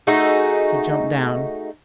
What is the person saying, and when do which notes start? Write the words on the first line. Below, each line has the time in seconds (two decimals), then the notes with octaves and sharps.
He jumped down.
0.07 A3 D#4 F#4 G#4